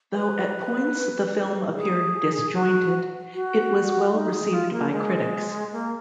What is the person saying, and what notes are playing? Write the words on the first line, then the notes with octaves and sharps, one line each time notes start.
Though at points the film appeared disjointed, it was well received by critics.
B4
G#4
F#4
F#4
D#4
G#4
F4
A#3
G#3
A#3